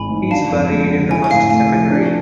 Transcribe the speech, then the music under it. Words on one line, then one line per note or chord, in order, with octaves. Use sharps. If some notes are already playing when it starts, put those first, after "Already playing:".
He is buried in the First Cemetery.
Already playing: G#1 E3 G#3 G#5 B5
G#2
D4 F5 A5
F2
G#3
D3
E4 G#5
G#5
A2 F5
A3 G#5
F3
D4